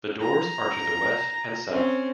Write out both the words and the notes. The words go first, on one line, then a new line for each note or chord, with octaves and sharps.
The doors are to the west and south.
A#5
C4 C#4